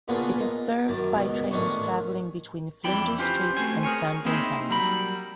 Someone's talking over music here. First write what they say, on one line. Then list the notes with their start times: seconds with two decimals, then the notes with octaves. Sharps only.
It is served by trains travelling between Flinders Street and Sandringham.
0.08 A#2 C#3 B3 D4 F4 G#4
0.40 D#4
0.88 F#2 D#3 A5 D6
1.13 C#2 B2
1.51 A1 D#3 C#4 D4 C5 C#6
2.84 F2 E3 E4 D5 G5 B5
3.18 C#4 F4 G4 B4 C5
3.57 A3 C4 F#4 C5 G#5
3.83 G#4 A#4 C#5 G#5
4.25 A#3 C4 D#4 E4 G#4 D#5
4.70 F#3 G3 A#4 B5